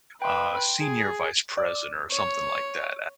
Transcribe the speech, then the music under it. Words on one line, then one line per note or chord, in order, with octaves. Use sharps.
uh, senior vice president or something like that,
B4 G5 C6
G#4
D5
C#5